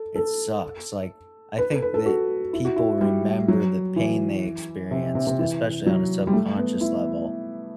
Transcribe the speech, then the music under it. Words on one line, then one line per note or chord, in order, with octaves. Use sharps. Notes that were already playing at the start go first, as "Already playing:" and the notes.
it sucks. Like, I think that people remember the pain they experienced, especially on a subconscious level,
Already playing: A4
A4
B4
A4
B4
A4
F#4
E4
F#4
E4
G3
F#3
E3
C3
C3
C3
E3
F#3
G3
A3
B3
E4